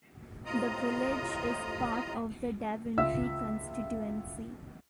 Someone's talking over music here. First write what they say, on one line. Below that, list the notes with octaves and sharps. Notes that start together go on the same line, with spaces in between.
The village is part of the Daventry constituency.
A2 C3 F4 D#5 A#5 D#6
C#2 F4 E5 E6